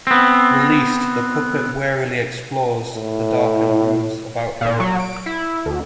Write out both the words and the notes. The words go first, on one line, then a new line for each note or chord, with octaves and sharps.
Released, the puppet warily explores the darkened rooms about him.
B3 C4
A2
A#2
F#3
D7
E4
D2